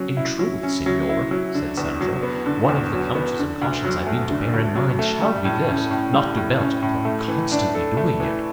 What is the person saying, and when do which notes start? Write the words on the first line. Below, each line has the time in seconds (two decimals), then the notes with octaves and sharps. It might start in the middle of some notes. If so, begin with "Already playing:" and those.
"In truth, senor," said Sancho, "one of the counsels and cautions I mean to bear in mind shall be this, not to belch, for I'm constantly doing it."
Already playing: F#3 C#4
0.17 E4
0.39 F#3
0.63 C#4
0.86 F#3
1.09 E4
1.31 F#3
1.54 D3
1.78 E2
2.01 F#3
2.23 B3
2.46 D3
2.69 E2
2.93 F#3
3.15 B3
3.39 D3
3.61 D2
3.84 F#3
4.07 A3
4.30 D3
4.53 D2
4.75 F#3
4.99 A3
5.22 G3
5.45 A2
5.68 C#4
5.91 A2
6.13 G3
6.37 A2
6.60 C#4
6.82 A2
7.05 A3
7.28 E3
7.52 D4
7.75 A4
7.97 A3
8.20 E3